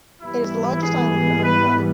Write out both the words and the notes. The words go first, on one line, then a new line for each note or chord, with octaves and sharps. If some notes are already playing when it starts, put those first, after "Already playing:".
It is the largest island in Mahone Bay.
G#2 E3 G3 B3 E4
G#4
B4